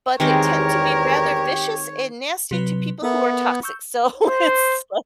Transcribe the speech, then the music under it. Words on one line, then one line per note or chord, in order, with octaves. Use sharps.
But they tend to be rather vicious and nasty to people who are toxic. So, it's so
E2 D#3 G#3 C4 G4 A#4 C#5
C3 F#3 B4
B3 A4 A#4 E5
C#6 E6 G6
C5